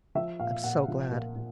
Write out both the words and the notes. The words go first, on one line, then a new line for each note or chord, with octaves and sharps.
I'm so glad.
F3 E5
A#2 F5
A#2 F#5
F3
A#2
A#2